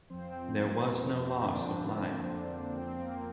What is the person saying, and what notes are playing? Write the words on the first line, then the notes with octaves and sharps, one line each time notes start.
There was no loss of life.
F2 F3 C4 C5
C4
A#3
C4
D3 D4
F2 F3 C4
A#3